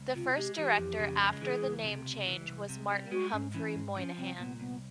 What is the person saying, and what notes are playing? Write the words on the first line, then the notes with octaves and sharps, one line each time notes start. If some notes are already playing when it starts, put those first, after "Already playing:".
The first director after the name change was Martin Humphrey Moynihan.
Already playing: C#2
C3 F4
G#3 G4
E3 G4
F2
C#3
G#3
E3 G#4
C#2
C3
C#2
E3
C2
C3
G3
G#3 F#4
G#2 C#4
E3 C#4
G#2
F3 C#4
C2 C4
A#2 B3
C2 B3